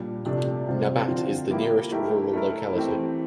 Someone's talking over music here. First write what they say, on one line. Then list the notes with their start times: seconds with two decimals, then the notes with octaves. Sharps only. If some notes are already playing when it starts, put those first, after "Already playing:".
Nabat is the nearest rural locality.
Already playing: A#2 G3 D4
0.25 C3 F3 A3 D4
0.67 C3 G3 C4 F4 C5
1.08 D3 F3 C4 F4 C5
1.50 F3 A#3 E4 G4
1.92 A3 E4 G4 A#4
2.33 A3 E4 A#4
2.75 E3 A3 C4 G4